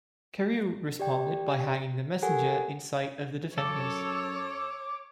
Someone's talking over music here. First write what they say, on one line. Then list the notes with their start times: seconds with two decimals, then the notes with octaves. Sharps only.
Carew responded by hanging the messenger in sight of the defenders.
0.99 G4 D5 G5
2.22 G4 A4 A#4 F#5 G#5
3.58 F#2 A4 C#5 D6